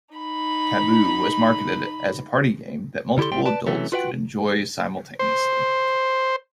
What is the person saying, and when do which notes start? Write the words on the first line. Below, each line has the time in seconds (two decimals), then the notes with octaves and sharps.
"Taboo" was marketed as a party game that multiple adults could enjoy simultaneously.
0.15 D#4 B5
3.18 D3 E4 G4 A4 C6
3.32 B1 A2 G3 C4 G5 C6
3.45 B4 D5 A5
3.67 C3 E3 F#3 A3 C#4
3.92 F4 F#4 B4 E5 F#5 G5
5.19 C5